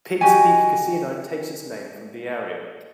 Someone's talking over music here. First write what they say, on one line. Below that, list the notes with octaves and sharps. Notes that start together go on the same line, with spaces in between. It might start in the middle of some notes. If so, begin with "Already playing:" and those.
Piggs Peak Casino takes its name from the area.
F#4 G4 D#5 G#5